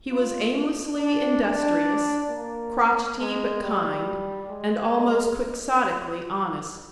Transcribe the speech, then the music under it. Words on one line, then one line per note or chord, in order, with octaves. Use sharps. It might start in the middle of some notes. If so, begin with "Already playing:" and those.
He was aimlessly industrious, crotchety but kind, and almost quixotically honest.
F4
D4
D4
A#3
G#3
G3
G#3